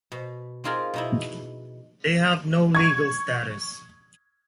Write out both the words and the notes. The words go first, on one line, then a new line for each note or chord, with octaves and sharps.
They have no legal status.
B2
C4 D#4 F4 G#4 A#4
B2 D#4 E4
C#6 G#6